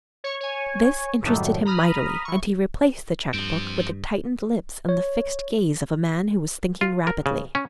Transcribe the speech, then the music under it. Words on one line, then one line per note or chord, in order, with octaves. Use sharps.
This interested him mightily and he replaced the cheque book with the tightened lips and the fixed gaze of a man who was thinking rapidly.
C#5 C#6
C#5 G#5
F#2 A2 D#3 F#3 G3 A3
A#5 B5 D#6 F6
E3 C#6
G2 F3 C4
C#5
F4
A#4
C#3
C#4